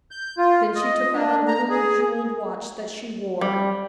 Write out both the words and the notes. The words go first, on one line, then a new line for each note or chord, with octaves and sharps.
Then she took out a little jeweled watch that she wore.
G6
F4
D#5
D4
A#5
G#4
G3